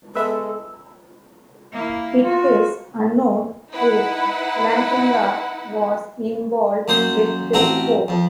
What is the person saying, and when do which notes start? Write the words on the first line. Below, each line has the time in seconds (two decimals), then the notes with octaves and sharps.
It is unknown if Lantinga was involved with this port.
0.15 G#3 B3 A4 B4 E5 E6
1.72 A#3 E4
2.24 F4 F#4
3.71 D#4 E4 B4 F#5
6.88 F#2 A#3 C5 D#6
7.54 A1 C4 F#4 A#5
8.08 F2